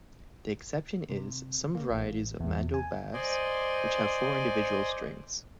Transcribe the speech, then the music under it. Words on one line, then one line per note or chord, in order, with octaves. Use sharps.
The exception is some varieties of mando-bass, which have four individual strings.
C3
A#3
A1
E2
G#5
C5 D5 D#5 G#5